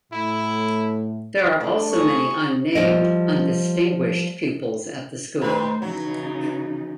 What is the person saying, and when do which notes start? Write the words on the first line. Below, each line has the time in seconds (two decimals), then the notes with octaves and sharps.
There are also many unnamed, undistinguished pupils at the school.
0.13 A2 E4
1.60 A3 D4
1.92 G#4 C#6
2.75 F3 G3 D#5
5.41 D#3 A3 B4 C5
5.82 C#3 E3 F#3 D#4